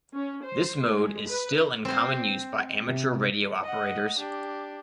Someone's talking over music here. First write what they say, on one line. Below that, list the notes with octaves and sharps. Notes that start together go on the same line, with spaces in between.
This mode is still in common use by amateur radio operators.
C#4
C5
G#3
B4
C4 C5
C3
D#5 F#5
D4 G4